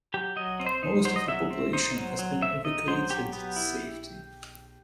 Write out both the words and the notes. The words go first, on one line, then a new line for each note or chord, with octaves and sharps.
Most of the population has been evacuated to safety.
F#3 G4
F#3 D#5
C4
C5
D#4
F#3 C5
D#5
F#3 E5
C4
D#4 C5
F#3
F#3
C4 E5
D#4 D#5
F#3 C5
F#3 G4
B3
E4